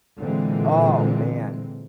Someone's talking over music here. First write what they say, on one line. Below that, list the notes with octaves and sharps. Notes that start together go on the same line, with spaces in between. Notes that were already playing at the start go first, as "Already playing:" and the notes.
Oh, man.
A#2 D3 E3 G#3 C4